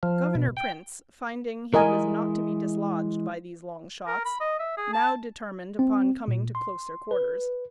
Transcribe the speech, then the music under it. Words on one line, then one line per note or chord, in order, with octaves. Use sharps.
Governor Printz, finding he was not to be dislodged by these long shots, now determined upon coming to closer quarters.
F3
B2
G5
E3 G#3 A#4 D#5 G#5
A#4
B5
D#5
E5
G#4
A5
C4
A#2
C6
B4